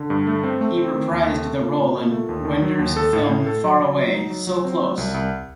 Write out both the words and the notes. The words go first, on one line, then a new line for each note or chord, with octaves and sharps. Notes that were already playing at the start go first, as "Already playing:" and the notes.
He reprised the role in Wenders' film Faraway, So Close!
Already playing: D3
G2
A3
C4
A3
C4
D#3
D#2
A3
A3
A#2
A#2
A#2
A3
D#2
D#3
F#3
D#2
A4
A2
A2
A4
F#3
F#3
F#3
D#4
F#3
F#3
C4
F#3
C2
C2